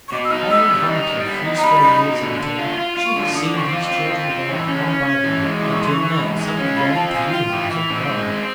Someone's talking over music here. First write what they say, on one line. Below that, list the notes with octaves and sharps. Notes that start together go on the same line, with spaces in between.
Hale and hearty at three-score years and ten, she has seen these children grow up one by one, until now some have gone to new homes of their own.
C#6
B2 D6
E6
D#4 F6
B3 E6
G3
D#4
G3
B3
D#4
A#5
G3 B5
D#4
B2
D3
D3
F4
F4
F4
C#6
D3
D3 D#6
D6
C4 C#6
F4 D6
C4
F4
C4
E3
C#4
C#4
C#4
E3
G#3
E3 D6
C#6
E3 C6
C#6
E3
G#2
G#3
C#4
F4 B5
C4 A5
F4 G#5
F4 G5
E3
E3
C4
G#3
C4